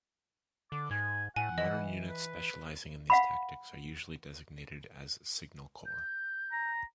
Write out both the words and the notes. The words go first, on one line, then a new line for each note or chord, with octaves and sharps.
Modern units specializing in these tactics are usually designated as "signal corps".
D3 D6
G#2 G#5
A2 F#5 G#5
E3 D#5
B4
F5 F#5 B5
G6
A#5